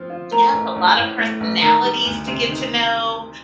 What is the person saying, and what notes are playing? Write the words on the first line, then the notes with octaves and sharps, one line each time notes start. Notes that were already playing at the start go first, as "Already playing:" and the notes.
Yes, a lot of personalities to get to know.
Already playing: F3 C4
F4
A3 A#4 A#5
A1
A1
A2
A3
A1
D#3 A#4 A#5
G3
D2
C3
D#3